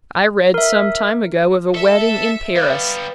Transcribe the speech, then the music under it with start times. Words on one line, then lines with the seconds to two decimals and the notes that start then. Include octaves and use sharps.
I read some time ago of a wedding in Paris.
0.54 A#4 E5
1.74 A4 E5
2.56 G3 B3 B4 F5 A6